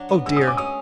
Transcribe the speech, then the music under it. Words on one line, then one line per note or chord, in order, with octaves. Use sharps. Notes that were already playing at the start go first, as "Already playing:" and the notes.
Oh! dear.
Already playing: F#3 D4
B3
G#3 E6
D#6
C#4
D6
C#4 D#6